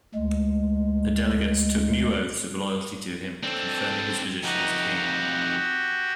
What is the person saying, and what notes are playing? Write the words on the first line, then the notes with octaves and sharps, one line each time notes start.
The delegates took new oaths of loyalty to him, confirming his position as king.
D2 G#3
C4 D4 A4
F2 D#4 F#4 G4